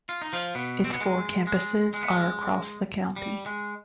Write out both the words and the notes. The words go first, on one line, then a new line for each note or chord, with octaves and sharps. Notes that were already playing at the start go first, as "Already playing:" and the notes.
Its four campuses are across the county.
F4
D#4
F3 F4
B2 B3
C4
B3
G#3
G#3
G#3
B3
G#3
G3
G#3